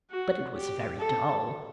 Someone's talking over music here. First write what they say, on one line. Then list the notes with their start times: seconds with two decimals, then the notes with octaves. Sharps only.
But it was very dull.
0.10 F#4
0.55 G4
1.00 A4